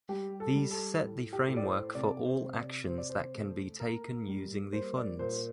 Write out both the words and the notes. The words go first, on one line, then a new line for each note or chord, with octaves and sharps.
These set the framework for all actions that can be taken using the funds.
G3 G4
A4
G3
A4
A2
G4
A2
D5
C5
C3 D5
C5
C3
D5
C3 C5
D5
C5
A3
A#3 A#4
G3
A#3 C5
D5
A#2 C5